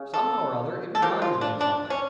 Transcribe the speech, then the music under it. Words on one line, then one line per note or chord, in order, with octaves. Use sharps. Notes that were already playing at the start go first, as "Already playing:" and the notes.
"Somehow or other, it reminds me of something."
Already playing: C#3
A4
A4
C#3 F3 A#3 G4
F4
D4
D4
C#4